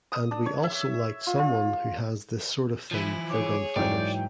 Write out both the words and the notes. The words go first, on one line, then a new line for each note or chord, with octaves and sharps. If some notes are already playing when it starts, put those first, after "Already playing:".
And we also liked someone who has this sort of thing for gunfighters.
D#6
D4
C#5
E5
F4
F4
E3 F3 E4
G#4 C#5 D6
G#2 E3 F#3 D5 G5